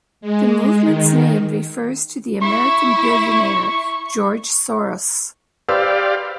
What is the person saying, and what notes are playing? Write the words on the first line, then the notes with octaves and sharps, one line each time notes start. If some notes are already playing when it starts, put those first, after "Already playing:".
The movement's name refers to the American billionaire George Soros.
G#3
D#3
E4 C#6
G4 B4 C5 D5 F5 E6